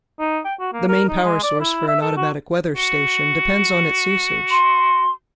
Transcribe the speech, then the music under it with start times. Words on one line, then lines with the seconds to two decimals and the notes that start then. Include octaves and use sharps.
The main power source for an automatic weather station depends on its usage.
0.20 D#4
0.45 G5
0.59 F#4
0.73 A#3
0.88 A#4
1.08 D#4
1.24 G#3
1.43 D5
1.60 E4
1.88 E5
2.02 A4
2.17 F#4
2.77 F#4
4.51 C6